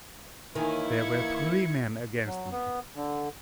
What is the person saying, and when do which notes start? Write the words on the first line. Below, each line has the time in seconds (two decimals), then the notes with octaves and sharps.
There were three men against me.
0.55 D#3 E3 A#3 E4 C#5 G#5
0.89 G#6 C#7
2.25 F#3
2.52 B3
2.95 D3